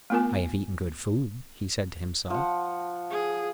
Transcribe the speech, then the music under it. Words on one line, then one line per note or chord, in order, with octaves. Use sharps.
"I have eaten good food," he said to himself.
A3 B3 F4 A#4 G#5
F3 F#5
G#4